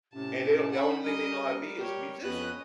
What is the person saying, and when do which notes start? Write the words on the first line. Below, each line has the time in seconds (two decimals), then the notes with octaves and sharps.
and they don't the only thing they know how to be is musicians,
0.14 A2 C3 C#4 A5
0.71 F#5 B5
1.03 G3 A#4 D#5
1.76 G4 C#5
2.23 F2 B3 C#4 B4 D#5 F#6